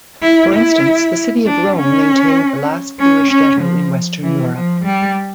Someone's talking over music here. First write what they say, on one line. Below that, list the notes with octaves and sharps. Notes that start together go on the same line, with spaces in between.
For instance, the city of Rome maintained the last Jewish ghetto in Western Europe.
E4
E4
D4
C#4
C#4
C#4
F3
E3
F3
G3